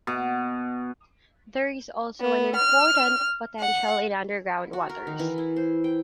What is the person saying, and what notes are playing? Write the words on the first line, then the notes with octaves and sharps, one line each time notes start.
There is also an important potential in underground waters.
B2
B3
F6
F#5
F#4
A#4
D#3
E3
E4
C5
G5